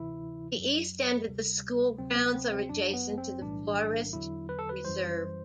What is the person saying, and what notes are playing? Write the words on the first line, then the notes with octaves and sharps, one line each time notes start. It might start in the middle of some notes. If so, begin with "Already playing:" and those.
The east end of the school grounds are adjacent to the "Forest Reserve".
Already playing: D2 C3 E3 E4
F#2 F#3
D2 C3 G3
D2 C3 F#3 C4
B3
B3
C4
C4
G1 F#2 F#3 D4
B3
C4
B1 A2 E3 G3 D4
E2 D3 F#3 E4
B4
A4
B4
F#2 E3 G3 C5